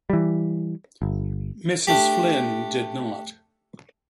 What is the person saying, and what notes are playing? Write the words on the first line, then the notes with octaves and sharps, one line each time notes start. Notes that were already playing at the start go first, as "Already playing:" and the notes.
Mrs. Flynn did not.
E3 G3
G1
A3 D4 G4